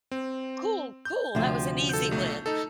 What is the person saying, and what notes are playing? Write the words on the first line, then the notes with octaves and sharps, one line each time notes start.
Cool, cool. That was an easy win."
C4
G6
D2 C3 F3
A4 G6
B1 A3
D#4 A4